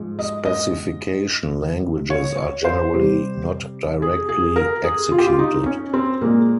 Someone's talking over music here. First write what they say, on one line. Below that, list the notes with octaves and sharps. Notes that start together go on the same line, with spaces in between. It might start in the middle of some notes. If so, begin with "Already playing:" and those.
Specification languages are generally not directly executed.
Already playing: G#2 F3 G#3
D#5
D#5
C#5
C#5
C5
C3 G3
G#4
G#4
A#4
G#4
F4
G4
F4
D#4
C#4
C4
A#2 G#3 A#3